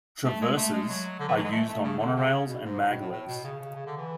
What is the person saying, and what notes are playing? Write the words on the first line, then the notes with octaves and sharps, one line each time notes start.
Traversers are used on monorails and maglevs.
A3
G#3
A3
G#3
F#3
D3
E3
F#3
G#3
A3
A3
C#3
D3
C#3
B2
G#2
A2
B2
A2
A2
B2
C#3
C#3
C#3
D3
E3